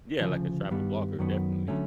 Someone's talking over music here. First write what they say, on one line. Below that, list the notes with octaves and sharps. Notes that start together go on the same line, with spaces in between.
Yeah, like a travel blogger, definitely,
D2 C#3 F3
G2 D#3 G3 B3
F#2 D#3 F#3 B3
D3 F#3 A3 C#4